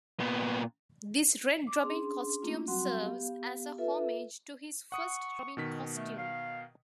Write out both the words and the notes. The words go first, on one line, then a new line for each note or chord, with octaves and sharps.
This Red Robin costume serves as a homage to his first Robin costume.
A#2 B3
D6
C#4 D4 G#4 C6
A3 A#3 C#4 D4 F4
F#3 G3 C4 F#4 F#5 C6
B3 G4 F5
F4 A4 B4 E5
F#5 C#6 D#6 C#7
B2 D#3 B6
A3
F5